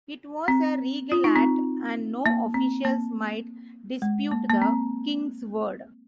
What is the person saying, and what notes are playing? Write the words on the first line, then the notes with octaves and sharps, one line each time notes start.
It was a regal act, and no official might dispute the king's word.
C4
F4
D#4
C4
A#3
C4
A#3
G#3
A#3
A#3
C4